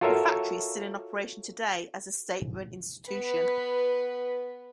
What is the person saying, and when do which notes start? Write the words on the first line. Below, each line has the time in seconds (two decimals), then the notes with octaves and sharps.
The factory is still in operation today as a state-run institution.
0.01 F4 F#4 A4 A#4 C#5 E5
3.06 B3 B4